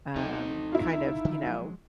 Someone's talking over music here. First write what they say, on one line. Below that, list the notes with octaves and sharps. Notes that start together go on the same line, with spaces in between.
um, kind of, you know,
D2 C4 D#4 A4
E4 F4
D3 D#3
F3 F#3 G#3